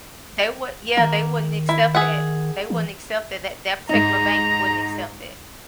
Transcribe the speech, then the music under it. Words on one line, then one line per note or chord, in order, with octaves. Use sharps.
They would yeah, they wouldn't accept that. They wouldn't accept that, that that particular bank wouldn't accept that.
D#3 A#3
E4
G#4 E5 F#5
E3
G#2 D#4 A#5